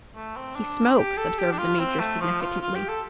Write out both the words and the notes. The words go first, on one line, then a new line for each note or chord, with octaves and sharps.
"He smokes," observed the Major, significantly.
A3
C4
D4
G4
A4
G4
D4
F4
C4
A3
F3
F4
F4
G4
A4